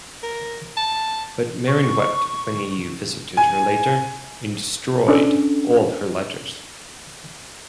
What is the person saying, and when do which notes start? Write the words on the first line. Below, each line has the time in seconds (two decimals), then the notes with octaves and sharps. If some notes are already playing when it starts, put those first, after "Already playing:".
But Mering wept when he visited her later, and destroyed all her letters.
0.23 A#4
0.77 A5
1.67 C#6
3.37 G#5
5.08 C#4 D4 A4